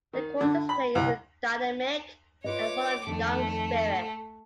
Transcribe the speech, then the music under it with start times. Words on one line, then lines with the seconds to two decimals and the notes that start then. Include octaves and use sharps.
The quartet's playing is dynamic and full of young spirit.
0.13 D#3
0.41 D3
0.69 B5
0.95 C2
2.44 F4 B4 C#5 D#5 D6
3.07 F2 D#3 A3